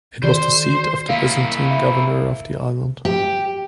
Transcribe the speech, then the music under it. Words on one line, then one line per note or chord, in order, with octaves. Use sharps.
It was the seat of the Byzantine governor of the island.
D#3 F#4 C5 D5
A#3 E4 F5 B6
E5
G4